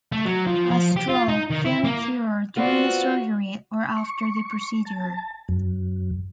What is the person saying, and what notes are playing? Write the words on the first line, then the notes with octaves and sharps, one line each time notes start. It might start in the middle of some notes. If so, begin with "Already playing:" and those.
A stroke can occur during surgery or after the procedure.
A3
F#3
F3
F3
G4
F4
D#4
D#3
E4
A#3
B3 C4 F4 F#4 D5 F5
C#6
A5
F#2